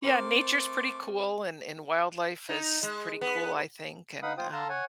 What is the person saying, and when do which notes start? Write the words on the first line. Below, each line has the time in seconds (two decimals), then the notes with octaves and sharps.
yeah, nature's pretty cool and, and wildlife is pretty cool, I think, and, um
0.04 A3 C4 A#4 C6 D6
2.49 D#4
2.83 G#3
3.21 B3
4.22 D#4 B4 F5 F#5 B5 D#6
4.38 F4 C5 G5 D#6
4.53 A4 F5 A5 A#5 C6
4.69 C#5 F#5 G#5